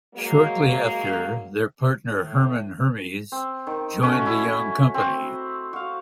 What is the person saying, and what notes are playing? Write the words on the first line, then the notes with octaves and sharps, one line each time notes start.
Shortly after, their partner Hermann Hermes joined the young company.
F#3 G#3 A#3
A2
C4
D#3
A3 C#4 F#4
C#4 E4
C4 F#4
F#4 F5